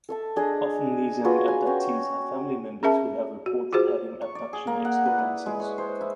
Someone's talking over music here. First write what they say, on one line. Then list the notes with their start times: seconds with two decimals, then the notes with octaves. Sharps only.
Often these young abductees have family members who have reported having abduction experiences.
0.09 A4 E5 A5
0.36 D4 G#4 D5 D#5
1.25 F4 F#4 G#4 B4
1.48 G#5
1.66 C#4 F#4 G5 A#5
2.83 C#4 G#4 A#4 E5 A5
3.46 F#4
3.73 F4 F#4 G#4 C5
4.21 C#6
4.35 D5
4.53 G#4
4.67 A#3
4.85 F#5
5.06 B4
5.19 E4
5.46 G#3
5.60 C#5
5.78 C5
6.01 E4